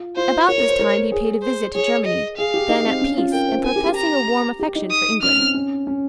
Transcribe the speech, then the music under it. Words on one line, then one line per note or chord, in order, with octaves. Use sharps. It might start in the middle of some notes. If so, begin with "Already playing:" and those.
About this time he paid a visit to Germany, then at peace and professing a warm affection for England.
Already playing: F4
F4 C5
A#4 C#5
A#4
C5
A#4
G#4
C5
G#4 C#5
D#5
G#4 F5
G4
D#4
C4
C#4
F4
A#4 G5
C5
A#4 G#5
G4
G4
A#5
G4
D#4
D#6
C#4 F6
C4
C#4
C#4